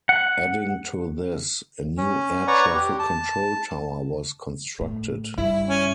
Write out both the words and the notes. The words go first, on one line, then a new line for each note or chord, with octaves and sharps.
Adding to this, a new air traffic control tower was constructed.
F#5
C#4
B4 C#5 D5 F#5 A#5 C#6
G4
A5
A2
G2 C#3 E4
C#4